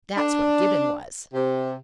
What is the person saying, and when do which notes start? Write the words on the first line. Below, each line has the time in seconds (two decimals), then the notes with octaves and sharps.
That's what Gibbon was.
0.17 D4
1.34 C3